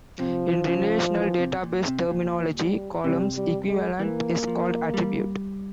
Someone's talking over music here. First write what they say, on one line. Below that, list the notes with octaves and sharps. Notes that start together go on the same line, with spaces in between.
In relational database terminology, column's equivalent is called attribute.
C3 F3
C#3
E3
C3
A#2
C3
A#2 F3
G3
C3 G3
G3
G#3
E3 A#3
F3
G3